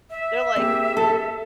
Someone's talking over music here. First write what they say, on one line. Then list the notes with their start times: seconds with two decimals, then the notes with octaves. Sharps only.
they're like,
0.10 E5
0.56 A#3 C4 G4 G#4
0.97 A4